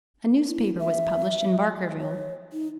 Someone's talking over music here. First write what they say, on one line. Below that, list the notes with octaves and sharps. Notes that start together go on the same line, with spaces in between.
A newspaper was published in Barkerville.
E4
E5
C#5
D#4